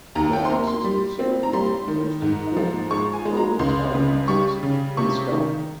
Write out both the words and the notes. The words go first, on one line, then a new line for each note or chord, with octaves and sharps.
The house is considered one of the most important early townhouses in Scotland.
D#2 A#5
G5
C6
A#3 A#5
C6
G3
C4
A#5
G3 C6
D#3
G#2
F3
G#3 C#6
G#5
G#3
A#5
C#2 C6
C#3
G3 C#6
C#3
C3 C#6
D#3